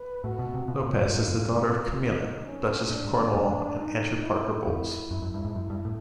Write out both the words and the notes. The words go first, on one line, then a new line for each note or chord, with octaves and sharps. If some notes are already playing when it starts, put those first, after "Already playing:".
Lopes is the daughter of Camilla, Duchess of Cornwall, and Andrew Parker Bowles.
Already playing: B4
A2 F#4
B2
C3
B2 F4
A#2
A2
G#2
F#2
G#2
A2
D#4
C#4
A#2 D4
G#2
F2
F2
D#4
E4
F2
F#2
F#2
G2
G#2
F#2 E4
G2
A2